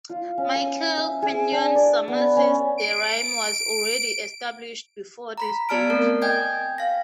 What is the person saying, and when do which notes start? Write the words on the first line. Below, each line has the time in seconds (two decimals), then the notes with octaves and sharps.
Michael Quinion surmises the rhyme was already established before this date.
0.09 F4
0.38 C#4
0.56 D#6
0.98 E5
1.22 G#4
1.52 D4
1.75 D5
2.08 B3
2.37 C#4
2.78 D7
5.38 A#5 B5 B6
5.69 B3 D5 A5 F6 D7
5.90 A3 C4 A#4
6.22 D#5 G5 G#5 G6 G#6
6.78 F5 A#6